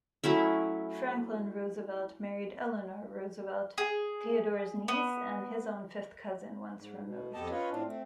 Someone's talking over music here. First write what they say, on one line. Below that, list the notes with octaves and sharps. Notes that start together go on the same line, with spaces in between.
Franklin Roosevelt married Eleanor Roosevelt, Theodore's niece and his own fifth cousin once removed.
F#3 A3 C#4 E4
G#4
B3
G#2
B2
F2 B3 G4 A4 D#5 A5
C#4 F4 B4 C#5 D#5
A2 C4 D4 F4
A3 C4